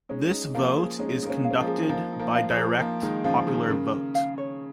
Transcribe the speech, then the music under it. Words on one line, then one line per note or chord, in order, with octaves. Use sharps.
This vote is conducted by direct popular vote.
G#3 C#4 D#4
D#4
F3 A#3 F5
G#4
G#3 C#4 D#4
A#3 D#4
G#3 C#4
F5
C#4
F3 A#3
G#4
F3 A#3 D#4
D#4
F3 A#3
F5
F3 A#3
G#4
F3 A#3 D#4
D#3 G#3 D#4
C#3 F3 F5
C#3
D#3 G#4
C#3 A#4
A#4
F5
C#5